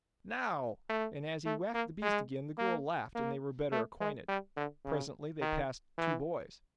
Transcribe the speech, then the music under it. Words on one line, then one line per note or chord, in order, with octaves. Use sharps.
"Now!" And, as he whacked the beast again, the girl laughed and they were better acquainted. Presently they passed two boys.
A3
A3
A#3
G#3
A#3
A#3
A3
G#3
G3
D3
C#3
D#3
E3